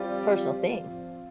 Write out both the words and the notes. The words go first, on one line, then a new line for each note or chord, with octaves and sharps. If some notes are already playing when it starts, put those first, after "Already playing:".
Personal thing.
Already playing: F3 G3 C4 F4 D5